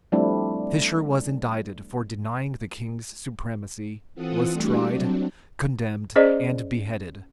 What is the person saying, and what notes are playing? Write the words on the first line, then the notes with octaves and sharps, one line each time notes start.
Fisher was indicted for denying the king's supremacy, was tried, condemned, and beheaded.
F3 G3 A3 C4 D4 E4
E3 C4 F4 A4 F#5 D#6
G3 A3 D4 E4 F#4 G4
F#3 C4 D4
C#4 G#4 C5 D5 D#5